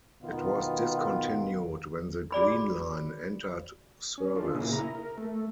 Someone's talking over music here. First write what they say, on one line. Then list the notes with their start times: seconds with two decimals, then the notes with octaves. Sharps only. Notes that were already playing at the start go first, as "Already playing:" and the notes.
It was discontinued when the Green Line entered service.
0.22 B2 D#3 B3 F4
2.32 F#4 G#4 D5 B5
4.18 C#4
4.36 D4 F4
4.55 A#2 C#3 A#3 E4 G#4
4.72 E4 A#5
4.95 A#4
5.18 A3